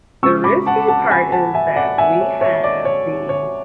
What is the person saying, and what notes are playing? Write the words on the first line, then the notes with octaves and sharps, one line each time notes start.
the risky part is that we have the
C#3 G#3 C#6 E6
B5 D6
F#5 A5
F#5 A5
G#5 B5
F#5 A5
E5 G#5
D5 F#5
E5 G#5
C#5
C#5 E5
D5
C#5
C#5